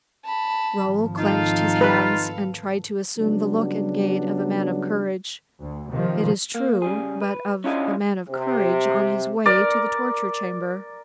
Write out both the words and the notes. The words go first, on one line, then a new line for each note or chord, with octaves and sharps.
Raoul clenched his hands, and tried to assume the look and gait of a man of courage, it is true, but of a man of courage on his way to the torture chamber.
A5 B5
G#1 F3
D#4 F4 A4 F5
B4
C#3 F#3 G3 B3 D4
D2
C3 D#3 F3
A#3
C#3 G3 G#4
B4
C#4 D4 E4 F4 G#4 D#5
C3
A#4 D5